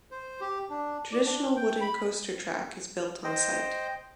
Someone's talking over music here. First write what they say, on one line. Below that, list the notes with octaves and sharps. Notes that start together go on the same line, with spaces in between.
Traditional wooden coaster track is built on site.
C5
G4
D4
D5
D4
G5
B5
C5 D#5 G5